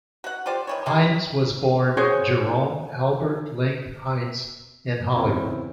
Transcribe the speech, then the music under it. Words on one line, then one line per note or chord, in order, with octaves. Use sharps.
Hines was born Jerome Albert Link Heinz in Hollywood.
F#4 F#5
F4 G4 C5 D5
D#3 E3 C#5
G3 G#3 C#4 E4
F#4 G#4 C5 C#5
E2 C#3 C4 E4